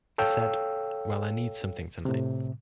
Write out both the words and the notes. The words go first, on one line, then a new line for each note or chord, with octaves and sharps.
I said, 'Well, I need something tonight.
A4 C#5 F5 G5 E6
A2 C3